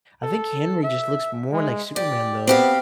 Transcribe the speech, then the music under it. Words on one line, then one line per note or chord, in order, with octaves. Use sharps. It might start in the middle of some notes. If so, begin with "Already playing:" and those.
I think Henry just looks more like Superman, though.
A4
E5
G#3
G4 D5
B3 C4 G4 F5